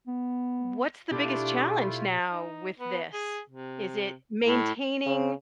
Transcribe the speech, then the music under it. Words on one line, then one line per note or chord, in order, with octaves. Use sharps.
what's the biggest challenge now with this? Is it maintaining
B3
B2 A3 D4 E4 F4 G4 D5
D#4
B3
G#4
C3
A2
C#3